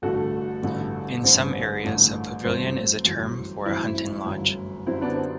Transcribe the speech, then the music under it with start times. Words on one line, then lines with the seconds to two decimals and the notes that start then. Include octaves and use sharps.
In some areas, a pavilion is a term for a hunting lodge.
0.02 A1 G2 D3 A3 F#4 A4
0.63 A1 G2 D3 A3
1.23 A1 G2 D3 A3 C4
1.84 A1 G2 D3 A3
2.44 G1 F#2 E3 A3 C4
3.05 G1 F#2 E3 A3
3.66 G1 F#2 E3 A3 C4 E4
4.25 G1 F#2 E3 A3
4.87 F#2 D3 G3 C4 E4
5.01 B3 D4
5.16 C4